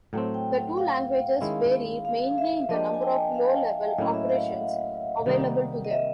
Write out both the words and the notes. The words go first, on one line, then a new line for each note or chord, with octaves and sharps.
The two languages vary mainly in the number of low-level operations available to them.
A2 F#3 A3 C4 G5
G5
F#5
F5
D#3 G#3 C#4 E4
F5
E5
F3 A#3 D4 G4 D#5
A5
G#5
G5
F5
E5
A2 F#3 A#3 C#4 E4 D#5
E5
F5
F#5
C3 D#3 G3 A#3 D#4
D#5
E5